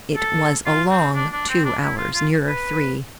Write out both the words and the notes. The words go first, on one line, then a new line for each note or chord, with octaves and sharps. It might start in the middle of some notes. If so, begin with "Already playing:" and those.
It was a long two hours, nearer three.
A4
F4
C4
D4
D4
C4
D4
E4
F4
F4
B4